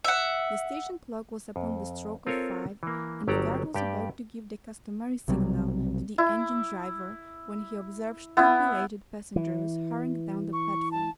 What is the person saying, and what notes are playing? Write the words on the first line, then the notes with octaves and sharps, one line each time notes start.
The station clock was upon the stroke of five, and the guard was about to give the customary signal to the engine-driver when he observed two belated passengers hurrying down the platform.
E5 F#5
F2
C4 F4 A4 A#4 C#5
E3 A#3
G1 F#3 G4 A4 D5 A#5
G2 G4 D5 G5
B1 C3 F#3 G3
E4
B3 E4
E3
C#6
A5